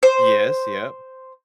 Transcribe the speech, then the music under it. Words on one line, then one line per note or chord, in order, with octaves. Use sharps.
Yes, yep.
C5